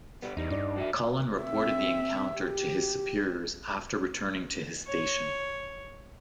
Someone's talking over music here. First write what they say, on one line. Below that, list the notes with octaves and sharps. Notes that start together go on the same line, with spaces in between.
Cullen reported the encounter to his superiors after returning to his station.
G3 B3
E2 G3 D#4
G2 D4
F3 F#4 E5
C4 E5
G4
C#5